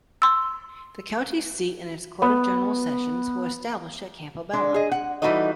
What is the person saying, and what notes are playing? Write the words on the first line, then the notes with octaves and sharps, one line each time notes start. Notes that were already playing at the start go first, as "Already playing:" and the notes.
The county's seat and its court of general sessions were established at Campobello.
C6 E6
B3
G#3 D4
G#4 D#5
F#5
E3 G3 D#4 F#4 A4 D#5